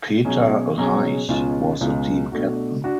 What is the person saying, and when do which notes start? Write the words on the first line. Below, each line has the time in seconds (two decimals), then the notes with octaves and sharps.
Peter Reich was the team captain.
0.25 B2 F#3 C#4 G#4
0.76 B2 F#3 C#4 G#4
1.28 C#2 B2 G#3 C#4 F4
1.80 C#2 B2 G#3 C#4 F4
2.32 B2 A3 D4 F#4
2.84 D4 F#4